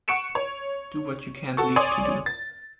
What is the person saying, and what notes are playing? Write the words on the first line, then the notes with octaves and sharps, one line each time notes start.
Do what you can’t leave to do.
F#5 C#6 C#7 D7 E7
C#5
F#4 A4 C#6
C#5 D5 G#5 C6 D#6
A6